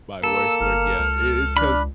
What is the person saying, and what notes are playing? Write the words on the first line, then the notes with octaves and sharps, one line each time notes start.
My worst work yet, i it's 'cause
A#3 A4 E6
G1 F6
C#2
D4 B5 F#6